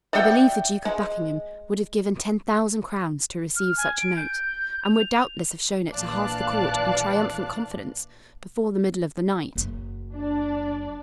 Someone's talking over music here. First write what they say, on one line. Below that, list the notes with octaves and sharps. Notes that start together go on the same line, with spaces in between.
I believe the Duke of Buckingham would have given ten thousand crowns to receive such a note, and would doubtless have shown it to half the court in triumphant confidence before the middle of the night.
D5 E5 F#5 G5
G#3
F6
G#5
D7
G6
F7
A#1 E3 D5 F5 A5 F#6
F#1 F#2
D4 D5